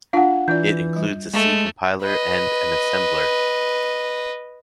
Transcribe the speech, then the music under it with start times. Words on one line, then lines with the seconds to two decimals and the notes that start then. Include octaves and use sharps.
It includes a C compiler and an assembler.
0.13 D4 F4 F5 F#5 A5
0.48 E3 D4 F4 D5 G6
0.96 G3
1.34 G#3 A3 C#6
2.02 B4 D#5